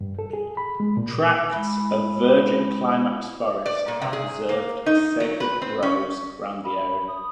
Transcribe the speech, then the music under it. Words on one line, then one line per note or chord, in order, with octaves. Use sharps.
Tracts of virgin climax forest are preserved as sacred groves around the area.
G2
A4
G#4
B5
G#3
A#2
G#3 E4 B5
D5
A#2
C3
G#4
A#3
D#4
F#3
B4
C4
C#4
B5
D#6